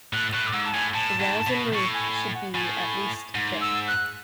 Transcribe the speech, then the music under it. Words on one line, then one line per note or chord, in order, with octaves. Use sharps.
The walls and roof should be at least thick.
A2 F#6
A2 F#6
D6
G#2 E6
A5
A2 G#5
A2 A5
G#2
B2
A2 C#6
G#5
G#5
F#5
A2 G#5
G#2
E6
F#6